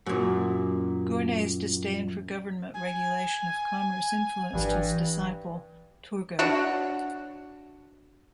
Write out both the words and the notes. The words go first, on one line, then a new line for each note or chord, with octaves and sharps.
Gournay's disdain for government regulation of commerce influenced his disciple Turgot.
F#2 A#2
G#5
G#1 G2 E3
D4 F#4 C#5 F#5